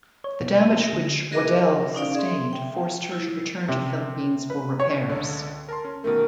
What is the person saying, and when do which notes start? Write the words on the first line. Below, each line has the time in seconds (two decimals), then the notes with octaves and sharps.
The damage which "Waddell" sustained forced her to return to the Philippines for repairs.
0.24 C#5
0.41 B2
0.55 D#7
0.80 A#6
0.93 D3
1.31 F#4 G#4 A#4 D#5 E5 D6
1.95 C#4 D#4 D5 F5
2.15 G#4 E5 C6
2.53 E5 G5
3.12 E4
3.68 C3
4.50 B4
4.80 C#5
5.09 C#2 D3 C#5
5.69 A#4 A5 C6
5.85 C#4
6.04 B2 D#3 A3 A#4